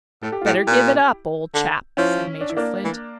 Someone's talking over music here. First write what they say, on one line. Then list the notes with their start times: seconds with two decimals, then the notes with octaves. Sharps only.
"Better give it up, old chap," said Major Flint.
0.23 A2 A4
0.32 G4
0.41 A2 F4
0.50 E4 G4
0.67 A#2
1.54 D3
1.97 F3 C#4 E4
2.41 D4
2.50 E4
2.56 A#3 D4
2.84 E3